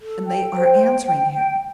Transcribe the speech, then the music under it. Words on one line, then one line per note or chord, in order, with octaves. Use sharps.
And they are answering him!
A4
G5
C5
G5
G5
G5